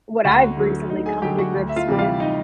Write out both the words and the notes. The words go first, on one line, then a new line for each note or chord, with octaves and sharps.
what I've recently come to grips with,
D2 F#4 F#5
D3 F#3
D2 D#4 D#5
G#4 G#5
D3 F#3 G4 G5
F#4 F#5
D2
E5
F4 F5
C3 E3 G3
F4 F5
D#4 D#5